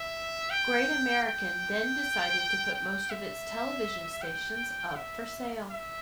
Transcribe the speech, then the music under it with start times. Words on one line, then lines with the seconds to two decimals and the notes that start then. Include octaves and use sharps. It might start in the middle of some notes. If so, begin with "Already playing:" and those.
Great American then decided to put most of its television stations up for sale.
Already playing: E5
0.50 G5
1.25 G5
2.73 G5
3.10 E5
4.21 G5
4.95 E5
5.70 E5